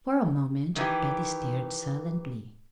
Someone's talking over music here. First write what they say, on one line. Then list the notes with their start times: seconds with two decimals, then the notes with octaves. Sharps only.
For a moment Patty stared silently.
0.76 D#3 E3 G4